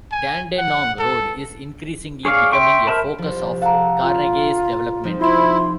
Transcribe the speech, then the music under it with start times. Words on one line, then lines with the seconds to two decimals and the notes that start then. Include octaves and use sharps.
Dandenong road is increasingly becoming a focus of Carnegie's development.
0.12 G#5
0.58 F#5
0.99 A4
2.25 G#4 C#5 D5 F5
2.52 E5 G5 C6 C#6
2.87 A#4 C5 E5 A5 B5
3.18 C2 F3
3.62 A4 F5 F#5 A5 A#5
4.01 F4
5.04 F3 C4 D#4
5.21 E4 F4 C5 C6